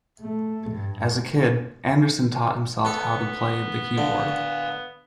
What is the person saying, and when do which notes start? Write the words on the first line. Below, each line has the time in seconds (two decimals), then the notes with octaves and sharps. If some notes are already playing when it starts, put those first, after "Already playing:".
As a kid, Andersson taught himself how to play the keyboard.
0.21 A3
0.71 G2
2.85 B3 A4 B5
3.98 D3 D5 F5